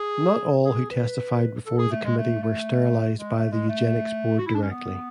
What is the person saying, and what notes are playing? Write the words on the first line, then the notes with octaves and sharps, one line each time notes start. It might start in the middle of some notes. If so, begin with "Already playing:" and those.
Not all who testified before the Committee were sterilized by the Eugenics Board directly.
Already playing: G#4
G#4
B4
A4
G#4
A3
G#3
A3
A3
G#3
A3
G#3
A3
F#4
E4
D4
C#4
B3